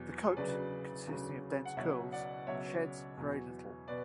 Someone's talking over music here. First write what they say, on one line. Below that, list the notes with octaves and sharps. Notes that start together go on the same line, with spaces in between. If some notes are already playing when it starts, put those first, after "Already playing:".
The coat, consisting of dense curls, sheds very little.
Already playing: E2 B2 F#3
D2 C#3 F#3 B4 D5
D2 C#3 F#3
F#5
C#2 B2 F#3 C#5 E5
D5 F#5
C#2 B2 F#3 C#5 E5
E2 B2 F#3
B2 B4 D5